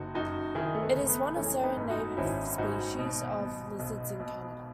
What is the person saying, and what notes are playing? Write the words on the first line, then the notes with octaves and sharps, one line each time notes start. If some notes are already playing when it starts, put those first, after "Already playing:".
It is one of seven native species of lizards in Canada.
Already playing: F#1 D#4 F#4
F#2 D#4 F#4
D#3 E4 G#4
A3
B3
F#1
B3
E3 A3 C#4
B3 D#4
G#2
D#4 F#4
G#1 C#4 E4
G#2 D#4 F#4
B2
B2
B1
B2